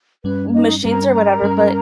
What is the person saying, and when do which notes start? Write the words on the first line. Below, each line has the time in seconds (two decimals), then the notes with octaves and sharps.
m machines or whatever, but,
0.24 G2 G3 C#4 B4
0.54 D#4 D#5
0.83 G2 G3 C#4 A#4 A#5
1.06 B5
1.12 A#4 A#5
1.42 G2 G3 C#4